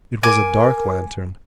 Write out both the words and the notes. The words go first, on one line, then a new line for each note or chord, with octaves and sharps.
It was a dark lantern.
A#4 G#5 D6